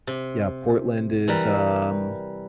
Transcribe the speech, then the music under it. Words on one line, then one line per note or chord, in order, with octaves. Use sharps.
yeah, Portland is ,um
C3
E3 G3 A#4